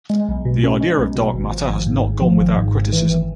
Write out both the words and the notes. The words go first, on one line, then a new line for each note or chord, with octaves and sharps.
The idea of dark matter has not gone without criticism.
G#3
B1
B2
C#4
G#3
B1
B2
G#1
F3
G#1
G#2
G#1
F3
G#1
G#2
G#1
E3
G#1